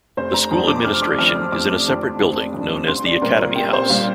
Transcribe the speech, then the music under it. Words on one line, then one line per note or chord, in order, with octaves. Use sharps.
The school administration is in a separate building known as the Academy House.
F1 C5
A#5
F2 F3 D4
D6
F1 F6
D6
F2 F3 D4 F6
F6
F1 D6
F2 F3 D4
F1
F2 F3 D4
C2 C6
D5
A#2 G3 C4 A#4
F4
C2 G4
C5
A#2 G3 C4 F5